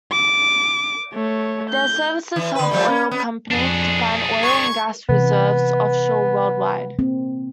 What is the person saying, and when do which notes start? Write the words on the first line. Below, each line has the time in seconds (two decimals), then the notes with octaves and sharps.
Their services help oil companies to find oil and gas reserves offshore worldwide.
0.12 D6
1.14 A3 C#5
1.70 G6
2.36 E3
2.55 D3 B4
2.71 F3 G3 A3
2.88 C#4
3.11 B3
3.51 F2 D4 G#4
4.43 C#6 G#6
5.09 C3 E3 B3
6.99 A#3 C4